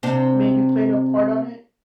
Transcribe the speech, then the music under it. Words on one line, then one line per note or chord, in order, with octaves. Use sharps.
maybe played a part on it.
C3 C4 D4